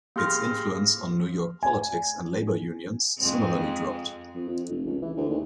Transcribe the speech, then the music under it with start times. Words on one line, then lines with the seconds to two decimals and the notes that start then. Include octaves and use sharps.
Its influence on New York politics and labor unions similarly dropped.
0.16 A#3 G4 G#4 C6 F6 A#6
1.63 G#5
3.19 F2 G#3 C4
4.35 F2
4.48 F2
4.71 F1
4.86 C#2
5.02 E3
5.17 D2
5.30 D#2